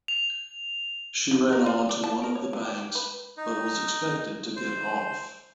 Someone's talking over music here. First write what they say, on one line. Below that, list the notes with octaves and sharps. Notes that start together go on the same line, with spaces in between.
She ran on to one of the banks but was expected to get off.
F7
D#4
A#4
F4
D5
A5
A#4
C#5
E3
G4
G4
B4
D#4
C5